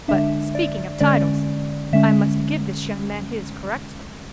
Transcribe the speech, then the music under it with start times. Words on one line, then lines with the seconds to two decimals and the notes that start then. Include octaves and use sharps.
But speaking of titles--I must give this young man his correctly.
0.08 D3 G#3 D4 E5
0.55 D5
1.00 D3 G#3 C#4 D5
1.93 D3 G#3 C#4 E5